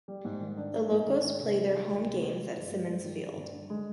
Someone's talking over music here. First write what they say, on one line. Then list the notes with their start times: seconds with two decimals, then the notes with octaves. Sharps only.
The Locos play their home games at Simmons Field.
0.08 G3
0.25 G#2
0.41 D#3
0.57 D4
0.74 A#3
0.91 G#2
1.07 D#3
1.23 D4
1.39 C3
1.56 G#3
1.72 D#3
1.89 D2
2.05 C3
2.22 G#3
2.39 D#3
2.55 G2
2.71 G#3
2.88 G2
3.04 D#3
3.21 G2
3.37 D3
3.53 D4
3.70 G#3